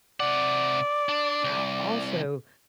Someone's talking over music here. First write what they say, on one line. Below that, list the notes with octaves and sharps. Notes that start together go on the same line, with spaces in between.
I also
C3 D5 F#5
D4
C2